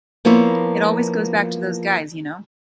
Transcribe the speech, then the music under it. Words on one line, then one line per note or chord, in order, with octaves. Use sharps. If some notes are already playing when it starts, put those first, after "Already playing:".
It always goes back to those guys, you know?
F3 A#3 B3 E4 C#5